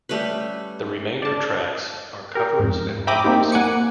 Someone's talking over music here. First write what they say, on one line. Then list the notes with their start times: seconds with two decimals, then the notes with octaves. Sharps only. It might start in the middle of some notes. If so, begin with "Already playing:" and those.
The remainder tracks are covers and one new song.
0.09 G3 A3 C#4 B4
1.22 D5 A5
2.35 G4 A#4
2.59 F2 G#2
3.07 E5 G5 A#5 B5 D6 D#6
3.24 A#3 C4 D#4 G4
3.52 A#3 F#5 G#5 D6 C#7